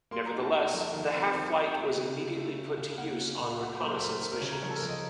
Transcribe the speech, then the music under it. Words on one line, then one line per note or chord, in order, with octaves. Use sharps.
Nevertheless, the half-flight was immediately put to use on reconnaissance missions.
A#3 C6
A#5
D#4
A5
A#3 A#5
F3
D#3 A#5
C4
D#3 C6
D#4
A3 A#5
C#3
C#3
A3
C#4
C#3
A#3 F#5
C#4
A#2 F#5
F5
A3 F#5
F#3 C5
A#4
A4
A3 A#4
A3 A#4
A#4
C#3 C#5
A#5
F3 C#5
A4
A#4
F3
D#5